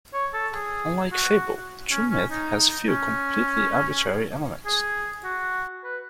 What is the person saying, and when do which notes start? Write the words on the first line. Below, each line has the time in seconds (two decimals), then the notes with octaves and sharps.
Unlike fable, true myth has few completely arbitrary elements.
0.13 C#5
0.34 A4
0.54 G#4
1.12 F#4
1.91 C#4
2.10 C#4
2.30 D#4
2.88 C#4
4.66 G#4
5.24 F#4
5.84 B4